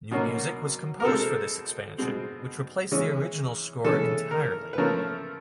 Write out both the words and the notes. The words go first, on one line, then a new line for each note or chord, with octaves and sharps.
New music was composed for this expansion, which replaced the original score entirely.
B2 F#3 A#3 C#4
A#4
B2 G#3 C4 A4
B2 G#3 C4
E3 G#3 C#4
E3 G#3 C#4 A4
A#4
B4
C#3 F3 A3 C#4 A#4